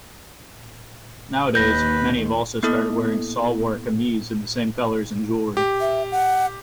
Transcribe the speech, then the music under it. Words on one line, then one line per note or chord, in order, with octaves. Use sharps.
Nowadays many have also started wearing salwar kameez in the same colours and jewellery.
D#2 D#3 B4 G6 A#6
A#3 B3 E4 A4 D#6
G4
E5
F#5